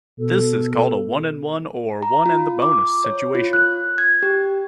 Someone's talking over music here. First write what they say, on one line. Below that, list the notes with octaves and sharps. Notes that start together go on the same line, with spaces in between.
This is called a "one-and-one" or "one and the bonus" situation.
B2 A4
A#5
F4
D6
C#5
F4
F#6
G#6
G4